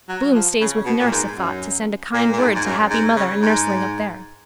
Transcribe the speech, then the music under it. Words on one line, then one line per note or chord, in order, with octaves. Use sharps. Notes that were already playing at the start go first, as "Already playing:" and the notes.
Bloom stays with nurse a thought to send a kind word to happy mother and nurseling up there.
F#3
F3
C#3
B2
A#2
G#2
F#2
A#2
A#2
G#2
G#2
F#2
G#2
C#3
G#2